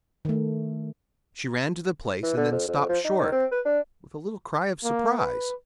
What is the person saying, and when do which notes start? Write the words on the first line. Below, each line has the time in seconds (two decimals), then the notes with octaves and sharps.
She ran to the place and then stopped short, with a little cry of surprise.
0.25 D#3 A3
2.23 E3
2.37 D3
2.52 F2
2.68 F2
2.89 F3
3.04 D#4
3.19 D#3
3.32 C4
3.52 B4
3.65 D4
4.84 A#3
5.18 B4